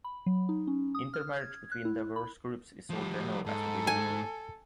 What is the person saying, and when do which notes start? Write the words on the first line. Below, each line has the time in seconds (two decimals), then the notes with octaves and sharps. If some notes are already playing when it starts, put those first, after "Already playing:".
Intermarriage between diverse groups is so general as to be the rule.
0.04 B5
0.26 F#3
0.49 D#4
0.67 C#4
0.95 D#6
1.14 F6
1.41 G#6
1.72 F#6
1.85 E4
2.16 B5
2.90 F3 G3
3.46 G#2 A4
3.87 G#5